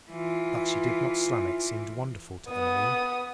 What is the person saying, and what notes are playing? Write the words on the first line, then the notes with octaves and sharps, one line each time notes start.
That she did not slam it seemed wonderful to Emmeline.
E3 F4
B3 D#6